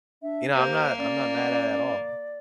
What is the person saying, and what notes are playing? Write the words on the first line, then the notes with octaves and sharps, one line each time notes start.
you know, I'm not I'm not mad at at all,
D4 E5
A#3 G4 C5
C#4 D5